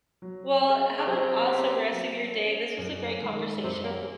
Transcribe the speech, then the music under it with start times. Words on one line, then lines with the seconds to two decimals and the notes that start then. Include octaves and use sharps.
well, have an awesome rest of your day, this was a great conversation.
0.22 F#3
0.65 C#4 G#4
0.98 C#3
1.07 C3 F#3
1.50 C#4 G#4
1.93 F#3
2.35 C#4 G#4
2.78 F#2
3.21 D#3 G#3
3.63 F#2 C3
3.84 A#3